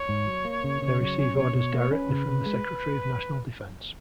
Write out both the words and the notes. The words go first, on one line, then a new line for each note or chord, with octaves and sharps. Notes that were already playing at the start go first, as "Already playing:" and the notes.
They receive orders directly from the Secretary of National Defense.
Already playing: C#5
G#2
F#3
A#3
C#3
C#3
F#3
C#4
B2
B2
A#3
C#4 B4
C#3
C#3
G#3